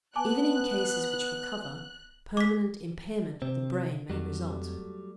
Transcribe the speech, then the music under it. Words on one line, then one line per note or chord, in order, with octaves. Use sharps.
Even in cases which recover, permanent impairment of the brain may result.
B3 G#5 A5 D6 F#6
D6 B6
C3 C4
F2 F#3 G3 A3